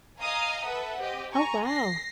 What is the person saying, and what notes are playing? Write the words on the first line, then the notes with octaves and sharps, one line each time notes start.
Oh, wow.
D#5 F5 G#5 A#5 D#6
A4 B4 E5 F#5
C4 G4 D#5
G#5 A#5 C#6
A#6 C7